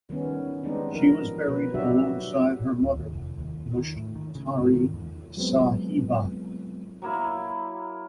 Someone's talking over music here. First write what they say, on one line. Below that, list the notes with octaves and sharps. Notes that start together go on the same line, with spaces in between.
She was buried alongside her mother, Mushtari Sahiba.
D#3 G3 B3 C#4
G3 G#3 B3 C4 D4 D#4
F3 A#4
B2 B4
F#3 G3 D4 F#4 G4 E5
D1
D#2
F1
D#2
D#3
A2
D#3
C#3
G#2
D#3
E2
F#3 G#3 B3 C4
F#3 A#3 E4